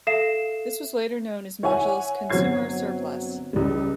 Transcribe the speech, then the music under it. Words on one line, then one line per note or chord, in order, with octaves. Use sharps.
This was later known as Marshall's "consumer surplus".
A4 E5 F5 C7 E7
C#5 E5 F#5 G#5
G1 F#3 C4 C#5 G#6 C7
C#2 G3